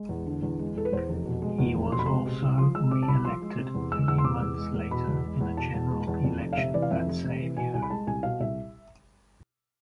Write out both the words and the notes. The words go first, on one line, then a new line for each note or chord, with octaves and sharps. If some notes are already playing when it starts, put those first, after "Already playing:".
He was also reelected three months later in a general election that same year.
Already playing: G#3
E2
D3
E2
G#3
E2 A4
B4
E2 C5
F1
B2
G#3
E2
F1
B2 C6
B5
G#3 C6
C3
C2
F3 C6
G#3 E6
C3 D6
A5
C2 B5
F3 C6
G#3
C3
E2
G#3 E6
E2 E6
C6
C3 D6
E2
G#3
E2
B2 B5
E2
G#3
E2
B2 A5
E2
G#3
E2
F2
F1
F5
C3 E5
E3 D5
F5
F2 E5
F1
C3
E3
B2 G#5
C2 G#5
B5
G#3 A5
C2 G#5
B2 F5
C2 E5